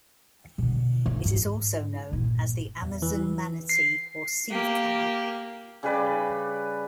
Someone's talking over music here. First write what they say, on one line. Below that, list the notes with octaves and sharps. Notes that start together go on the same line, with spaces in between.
It is also known as the Amazon manatee or sea cow.
B2 D3
D3
G#2
G1 A#2
E2
E3
C7
A#3 G4
C#3 G3 B4 D5